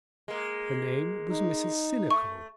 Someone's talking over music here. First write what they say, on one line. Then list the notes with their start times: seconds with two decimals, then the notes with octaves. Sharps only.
Her name was Mrs. Sinico.
0.28 G#3 A#3
1.29 D#4
2.11 A3 C#6